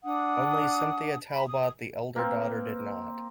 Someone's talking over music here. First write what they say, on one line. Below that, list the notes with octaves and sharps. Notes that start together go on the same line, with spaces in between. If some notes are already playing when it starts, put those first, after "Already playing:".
Only Cynthia Talbot, the elder daughter, did not.
D4 F#5 D#6
B5
D#6
A#3 C4 B4 F6